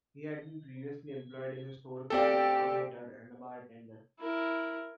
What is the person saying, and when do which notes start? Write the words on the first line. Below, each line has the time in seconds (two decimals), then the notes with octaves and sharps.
He had been previously employed as a store clerk, a waiter, and a bartender.
2.10 D2 C4 G4 A4 D5 F5
4.19 E4 A#4